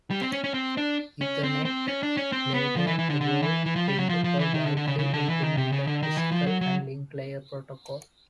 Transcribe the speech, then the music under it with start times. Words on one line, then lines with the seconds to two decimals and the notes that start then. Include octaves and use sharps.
Ethernet later evolved into a widely implemented physical and link layer protocol.
0.10 G3
0.21 C4
0.32 C#4
0.44 C#4
0.54 C4
0.77 D4
1.21 C#4
1.43 C4
1.65 C4
1.88 C#4
2.03 D4
2.17 C#4
2.32 C4
2.54 B3
2.76 F3
2.87 E3
2.99 E3
3.10 D3
3.21 D3
3.43 E3
3.66 E3
3.76 F3
3.87 G3
3.99 F#3
4.09 F3
4.24 F3
4.39 E3
4.54 D#3
4.64 D3
4.77 D3
4.87 C#3
4.99 C#3
5.14 D3
5.28 E3
5.42 D#3
5.57 C3
5.72 C#3
5.87 D3
6.02 D#3
6.17 E3
6.32 F3
6.46 F#3
6.61 F#3